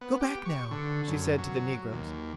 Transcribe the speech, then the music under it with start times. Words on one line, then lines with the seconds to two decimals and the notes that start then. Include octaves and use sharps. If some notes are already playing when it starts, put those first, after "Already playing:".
"Go back now," she said to the negroes.
0.01 B3
0.21 G4
0.45 C#6
0.71 D3
1.08 F#2
1.38 F#3
1.93 D#2